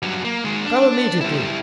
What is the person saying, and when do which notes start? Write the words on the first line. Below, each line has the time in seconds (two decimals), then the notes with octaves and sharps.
Go immediately.
0.02 G2 F#3
0.25 A#3
0.44 D#3 G#3
0.65 D4
1.21 G3 E4